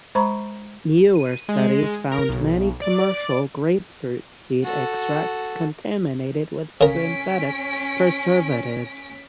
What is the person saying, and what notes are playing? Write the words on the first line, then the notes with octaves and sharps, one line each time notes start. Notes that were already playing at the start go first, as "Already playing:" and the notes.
Newer studies found many commercial grapefruit seed extracts contaminated with synthetic preservatives.
G#3 C5 A#5 B5 C#6
D#7
G#3
A#4
B1
D5
F#4 A4
C#3 C#4 A#4 B6 D7